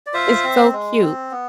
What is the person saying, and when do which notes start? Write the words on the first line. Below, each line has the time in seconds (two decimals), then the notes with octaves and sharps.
It's so cute
0.07 D5
0.14 F4 C5 E5
0.44 C4
0.73 G#3
1.02 C4
1.31 B3